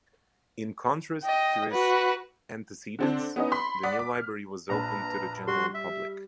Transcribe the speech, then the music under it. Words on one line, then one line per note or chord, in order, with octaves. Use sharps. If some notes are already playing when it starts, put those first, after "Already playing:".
In contrast to its antecedents, the new library was open to the general public.
D#5 G5
F#4 B4
D3 C4 D4
B3 C#4 D#4
B5 C6 B6
D5 F#5 D#6 B6
D6
F6
A#1 B4 A5 A#5
G3 F#4 C6
E5